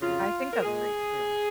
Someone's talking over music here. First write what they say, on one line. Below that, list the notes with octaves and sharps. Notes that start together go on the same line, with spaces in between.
I think that's great, too.
F2 C#3 F#3 F4
A#4
A#2 G#3 G#4